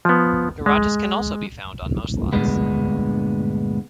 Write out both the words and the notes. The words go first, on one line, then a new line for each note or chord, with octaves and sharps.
Garages can also be found on most lots.
F3 B3
G#3
D2 G2 A#2 G#3 B3